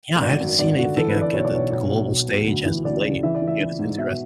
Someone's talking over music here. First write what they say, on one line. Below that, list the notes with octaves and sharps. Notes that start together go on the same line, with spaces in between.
yeah, I haven't seen anything like at the g the global stage as of late. Yeah, that's interest
G#1 D5
F#2
G#1 D5
D3 F#4
E3 A4
B4
E3
D5
B1 C#5
D5
B1 C#5
B1 C#5
B1
B1
B1
D2
E3
D2 D5
C#3
E3 E5
D5
E3
E5
E3
G#2
B2 E5